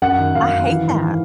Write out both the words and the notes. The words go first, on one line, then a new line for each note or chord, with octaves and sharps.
I hate that.
F#2 F#5
D#3
F#2 F5
D#3
E3
G#2
E3